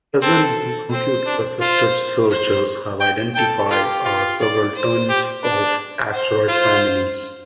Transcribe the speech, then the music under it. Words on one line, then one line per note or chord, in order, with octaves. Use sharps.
Present day computer-assisted searches have identified several tens of asteroid families.
C4 A4
C4 C5
D4
F4 C5
C5
G5
A4 G5
F4 G4
F4
D5
C5
G4
D4
C5
F4 C5